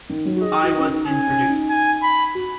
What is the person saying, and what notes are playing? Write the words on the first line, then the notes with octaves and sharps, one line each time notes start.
I was introduced.
D#3
F#3
F#4
G#4 D#5
F#4
C#4
D#4
C#4 G#5
C#4
D#4
G#5
B5
F#4